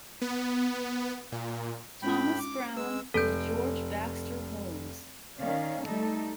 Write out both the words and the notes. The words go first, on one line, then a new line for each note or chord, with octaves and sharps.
Thomas Brown and George Baxter Holmes.
B3
A#2
A2 G#3 C#4 F4 G5 B5
D6
G#3 B4 E6
F1 A4 G6 D7
D#3 C#4 D5 F5
G3 A3 D#4 A4